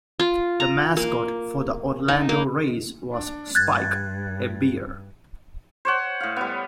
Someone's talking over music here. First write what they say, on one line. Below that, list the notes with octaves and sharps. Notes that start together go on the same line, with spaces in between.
The mascot for the Orlando Rays was "Spike", a bear.
F4
A#5
A#3
D#4
A#3
D4
G2 F#6 G#6 A6
C5 C#5 F#5
A2 F5
G3 B3